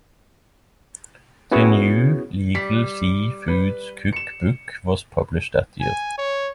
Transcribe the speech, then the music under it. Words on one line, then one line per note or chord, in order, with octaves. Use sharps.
The New Legal Sea Foods Cookbook was published that year.
B3 C#4 E4 F#4 G#4 C#5
G3 B6
B4
C#7 E7
G#5
C#5